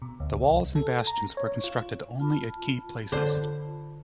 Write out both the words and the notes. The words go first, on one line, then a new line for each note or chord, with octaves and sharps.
The walls and bastions were constructed only at key places.
B2
D2
C2
A4
A#5
C#5
F4
F4 A5 B5
D3 C5